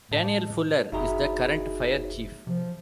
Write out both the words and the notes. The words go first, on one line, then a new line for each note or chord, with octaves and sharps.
Daniel Fuller is the current fire chief.
A2 D#5 A5
F#1 D#4 F#4 G#4 E5 A#5 B5
C3 F3